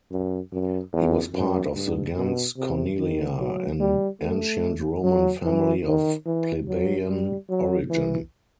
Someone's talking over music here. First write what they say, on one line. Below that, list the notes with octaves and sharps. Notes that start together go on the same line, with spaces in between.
He was part of the gens Cornelia, an ancient Roman family of plebeian origin.
F#2
F#2
E2
F#2
G2
B2
C3
D#3
F#3
G3
A3
F#3
E3
D#3
E3
F#3
G3
F#3
E3